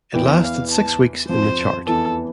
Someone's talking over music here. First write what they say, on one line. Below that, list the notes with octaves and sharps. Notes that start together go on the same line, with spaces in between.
It lasted six weeks in the chart.
E2 E3 G5
F5
A5
F2 F3 C5
E2 E3 A4